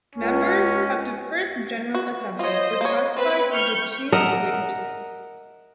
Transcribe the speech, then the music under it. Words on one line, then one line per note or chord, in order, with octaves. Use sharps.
Members of the first General Assembly were classified into two groups.
C#2 C#4
F#4
F4 C5 C#5 D#5
A#3 C#5
C4 B4
C#6 F6 G6
A#4 D#5 E5 F#5